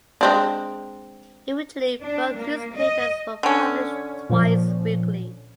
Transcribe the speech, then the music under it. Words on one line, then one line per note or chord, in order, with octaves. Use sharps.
Eventually both newspapers were published twice weekly.
G#3 C4 D4
D4
A#3
D#5
D3 C#4
A#2 F3